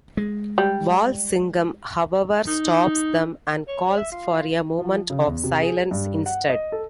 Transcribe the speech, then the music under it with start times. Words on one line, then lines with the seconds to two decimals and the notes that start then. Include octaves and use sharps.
Walsingham, however, stops them and calls for a moment of silence instead.
0.17 G#3
0.58 G3
2.47 D#4
3.68 C#5
3.97 E5
4.12 F4
4.79 F3
5.10 C#3
5.27 E2
5.44 C3
5.62 G#4
5.91 G2
6.26 F#5
6.49 D#5
6.72 A4